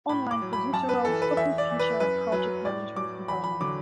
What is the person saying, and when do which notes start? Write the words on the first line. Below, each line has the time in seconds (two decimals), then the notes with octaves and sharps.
Online producer roles often feature a project management component.
0.09 A2 B5
0.31 D6
0.42 F#3
0.53 B5
0.73 F#2 A5
0.89 B4
1.05 E3 A4
1.22 B4
1.37 E2 E5
1.58 D5
1.70 E3
1.79 B4
2.00 F#2 B4
2.32 F#3 B4
2.65 A2 D5
2.96 F#3 D6
3.28 E2 B5
3.44 B5
3.60 D3 F#3 D6